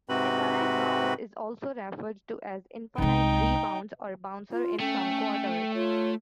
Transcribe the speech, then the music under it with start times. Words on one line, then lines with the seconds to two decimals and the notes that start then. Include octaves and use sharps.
Infinite Bounce is also referred to as Infinite Rebounds or Bouncer in some quarters.
0.09 G#2 C3 C4 F#4 B4 B5
2.98 C2 G#3 D#4 G5
4.52 F4
4.80 A3 C#4 G5
5.74 F4 C#5